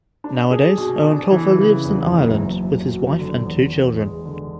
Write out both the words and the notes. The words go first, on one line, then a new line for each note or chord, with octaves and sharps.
Nowadays, Eoin Colfer lives in Ireland with his wife and two children.
D4
G#4
B2
D4
E3
C#3
E2
F#1
F#2
F#2
F#3
D3
E2
E2
G#3
D3